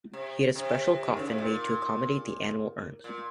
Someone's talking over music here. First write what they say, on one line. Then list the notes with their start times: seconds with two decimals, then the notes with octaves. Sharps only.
He had a special coffin made to accommodate the animal urns.
0.13 C3
0.55 C3
1.07 D#3
1.17 C#3
1.28 C3
1.38 A#2
3.04 A#2